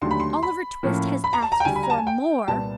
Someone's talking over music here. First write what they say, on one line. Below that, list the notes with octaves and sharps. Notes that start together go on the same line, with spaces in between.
Oliver Twist has asked for more!'
D#2 D3 F#3 A3 C6
B5
C6
B5
A2 F3 A#3 C#4
B5
A#5
A5
A#5
G5
D2 D3 G3 G#5
B5
A#5
A5
G#5
G5
C2 A#2 G3 B3 A5